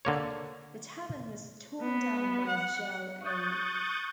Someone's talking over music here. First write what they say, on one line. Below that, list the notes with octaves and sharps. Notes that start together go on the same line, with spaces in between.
The Tavern was torn down by Jell-O.
D3 A#3 C#5
B3
F#5
C#6 D#6 F#6 G6 A6